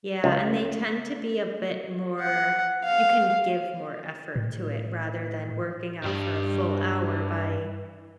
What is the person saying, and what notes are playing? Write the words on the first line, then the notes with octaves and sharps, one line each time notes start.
Yeah, and they tend to be a bit more you can give more effort to it rather than working out for a full hour, by
C#2
F#5
F5
A2
G2 G3